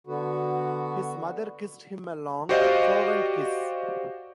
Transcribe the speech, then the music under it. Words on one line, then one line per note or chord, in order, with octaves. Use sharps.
His mother kissed him a long, fervent kiss.
D3 B3 F#4
F#4 G4 C5 D5 D#5 F5